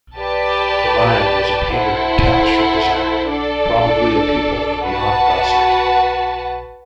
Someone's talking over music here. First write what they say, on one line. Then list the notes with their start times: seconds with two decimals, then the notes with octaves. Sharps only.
Vermeyen was a painter and tapestry designer, probably a pupil of Jan Gossaert.
0.16 G4 B4 D5 A5
1.73 E4 A4 C5 F#5
3.30 D4 A4 D5
4.86 F#4 B4 F#5 A5